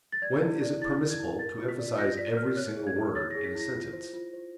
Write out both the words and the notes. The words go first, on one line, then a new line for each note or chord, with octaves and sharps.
When is it permissible to emphasize every single word in a sentence?
A6
D5 G#6
E4
D5
E4 A6
E4
G#6
E4
A#4 A6
F4
B6
D5
F4 A#6
D5 B6
A#4 F6
C#5 F#6
G#4
G#6
E4
C#5 A6
G#4 A#6
B6
E4 A#6
F4
C5
F4
C5